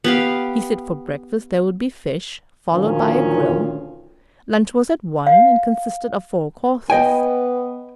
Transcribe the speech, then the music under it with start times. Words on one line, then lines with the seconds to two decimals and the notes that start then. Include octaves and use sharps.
He said for breakfast there would be fish, followed by a grill. Lunch was at one, and consisted of four courses.
0.04 B3 G4 F5
2.73 D2 A#2 D#3 F3 C#4 F4
5.27 F5
6.90 B3 D#5 G5 G#5